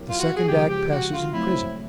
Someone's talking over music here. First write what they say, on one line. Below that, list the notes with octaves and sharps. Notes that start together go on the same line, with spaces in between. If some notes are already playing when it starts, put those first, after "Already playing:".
The second act passes in prison.
Already playing: F#3 B3 E4 G4 A#4
F4
F#4
G#4
C#3 F3 G#3 G4
G4
F#4
F4
F#3 A3 C4 E4